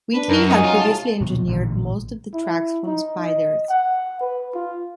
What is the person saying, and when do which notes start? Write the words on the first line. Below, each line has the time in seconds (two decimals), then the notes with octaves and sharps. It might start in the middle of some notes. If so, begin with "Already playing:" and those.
Wheatley had previously engineered most of the tracks from "Spiders".
0.13 D4 B4
0.29 F#2 A#4
0.49 F#3 C#4 D#4
0.64 F4
0.81 C3 A5
1.20 D#1 D2 B2 F#3
1.47 A1 A#2 D3
2.34 E4
2.86 D#4
3.19 D#5
3.70 F#5
4.21 B4
4.54 F4